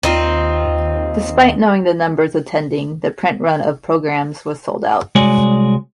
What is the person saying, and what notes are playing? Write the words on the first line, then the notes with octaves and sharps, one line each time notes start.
Despite knowing the numbers attending, the print run of programmes was sold out.
D#2 C4 D#4 F4
C2 G#3 F#4 G#4 C#5 D5